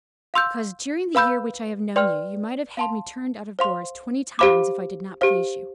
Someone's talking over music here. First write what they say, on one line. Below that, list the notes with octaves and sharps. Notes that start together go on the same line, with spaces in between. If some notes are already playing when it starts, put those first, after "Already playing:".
"Because during the year which I have known you, you might have had me turned out of doors twenty times if I did not please you."
F5 C6 E6 G6
B4 F5 B5 E6 G6
B4 D5 G5 C6 F6
F5 A5 C6
C5 F5 C6
G4 C5 F5 B5 D6
G4 C5 F5